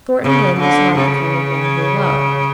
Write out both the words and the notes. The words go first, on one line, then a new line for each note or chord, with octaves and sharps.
Thornton Lyne was not the kind of man who loved.
C#3
D3
C#3